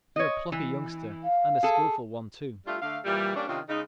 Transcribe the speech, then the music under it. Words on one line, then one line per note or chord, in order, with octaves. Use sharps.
You're a plucky youngster and a skilful one, too.
C#5 D#5
E3
F5
G#4 A4
G3 A3 D4 F4
D3 A3 F5
A#2 E3 G3
G3 A#3 C#4 D4
C3 D#3 C#4 D4 F4
C#3 G#3 D#4